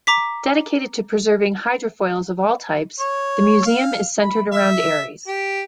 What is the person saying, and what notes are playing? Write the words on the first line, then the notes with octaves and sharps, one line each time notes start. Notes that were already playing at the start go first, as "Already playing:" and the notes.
Dedicated to preserving hydrofoils of all types, the museum is centered around Aries.
A#5 D6 B6
C#5
F5
B5
E5
G4